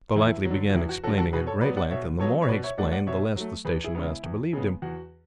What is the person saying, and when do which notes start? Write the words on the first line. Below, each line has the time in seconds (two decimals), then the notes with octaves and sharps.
Golightly began explaining at great length; and the more he explained the less the Station-Master believed him.
0.16 E2 E4
0.45 F#3
0.50 D3
0.70 F#4
0.75 E2 E4
0.89 F#4
1.04 D3 F#3 F#4 A4
1.18 F#4 A4
1.33 B2 G#4 B4
1.47 A4 C#5
1.61 F#3 B4 D5
1.66 B3
1.76 D5 F#5
1.90 B2 C#5 E5
2.19 F#3 B3 A4 C#5
2.42 C#5
2.48 B2 B4 D5
2.64 C#5 E5
2.78 F#3 A3 D5 F#5
2.92 D5 F#5
3.07 B2 C#5 E5
3.36 F#3 A3
3.65 E2 G#4 B4
3.84 E4 G#4
3.95 C#3 G#3 B3
4.04 E4
4.24 E2
4.53 C#3 G#3 B3
4.82 E2 F#4